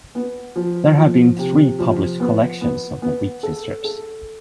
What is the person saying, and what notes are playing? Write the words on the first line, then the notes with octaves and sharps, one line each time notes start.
There have been three published collections of the weekly strips.
B3
F3
F3
C3
F3
B3
B3
B3
A4
A4